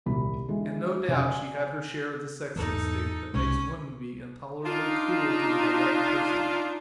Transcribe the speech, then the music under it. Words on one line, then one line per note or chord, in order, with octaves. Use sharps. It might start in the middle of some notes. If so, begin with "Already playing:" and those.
And, no doubt, she had her share of the sex instinct that makes women be intolerably cruel to the beloved person.
D#1 C2 B5
D3 E3 G#3
F1 C#3 G#5 C6
D5 G#5
E2 G#2 E3 D#4 A4
C2 B2 G#3 C#4
D4 D#4 F4